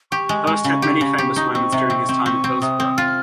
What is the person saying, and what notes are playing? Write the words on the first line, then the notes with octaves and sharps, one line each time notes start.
Hirst had many famous moments during his time at Hillsborough.
G4 C#6
G#3
G#3
C#3
G4
C#3
G4
D#4
C4 C#6
C3
C4
C4
C4 C#6
C4
C3 D#6
C4
F4 F6